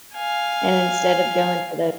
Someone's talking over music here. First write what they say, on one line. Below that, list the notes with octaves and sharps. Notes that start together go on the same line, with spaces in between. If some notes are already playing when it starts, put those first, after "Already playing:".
and instead of going to the
F5 G#5